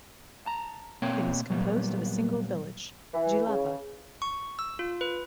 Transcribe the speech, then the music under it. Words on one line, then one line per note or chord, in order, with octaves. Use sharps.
It is composed of a single village, Jilava.
A5 A#5
B2 A#3 C4 C#5 G5
A#2 F#3 G3 A#3 B3
E3
C#3
C#6
E6
F4
B4